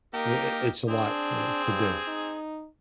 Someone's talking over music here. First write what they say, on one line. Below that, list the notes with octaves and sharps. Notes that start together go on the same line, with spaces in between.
i i it's a lot, eh, to do,
A#3 D#4 G4 A#4
C4 D4 G#4
G2
D#4